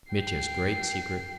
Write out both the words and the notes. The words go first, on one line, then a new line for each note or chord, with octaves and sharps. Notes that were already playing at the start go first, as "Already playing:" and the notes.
Mitya's Great Secret.
G5 C7